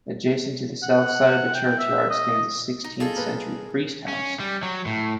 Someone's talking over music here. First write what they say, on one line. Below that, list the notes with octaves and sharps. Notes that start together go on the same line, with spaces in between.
Adjacent to the south side of the church yard stands a sixteenth-century priest house.
F#5
G5
E5
D#5
D#4
F4 G#4 A4 D#5
A#3 B4
C#4
G3
F#3
A2